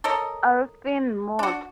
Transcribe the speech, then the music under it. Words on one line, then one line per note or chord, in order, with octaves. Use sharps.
Arifin Mohd.
A4 A#4 C#5 D#5
D4 F#4